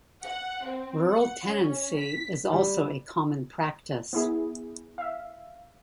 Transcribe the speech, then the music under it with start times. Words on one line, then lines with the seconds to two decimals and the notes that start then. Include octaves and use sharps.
Rural tenancy is also a common practice.
0.24 F#5
0.67 C4
1.12 F#5
1.49 C#4
1.98 B6
2.52 G3
4.13 B3 E4 G#4
4.98 E5 F5